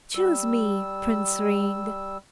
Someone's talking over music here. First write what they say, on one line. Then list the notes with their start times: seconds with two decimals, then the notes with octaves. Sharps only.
'Choose me, Prince Ring.'
0.15 G3 E6